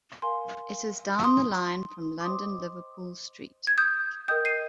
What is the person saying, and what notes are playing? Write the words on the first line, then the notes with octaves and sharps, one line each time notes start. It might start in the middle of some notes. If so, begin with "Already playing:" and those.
It is down the line from London Liverpool Street.
A#4 F5 G#5 C6
C6 D#6
D6
C5 D#5 G5 C6 D#6
G#6
D#6 G6
A#4 D#5 G5 D#6 G6
C7 D#7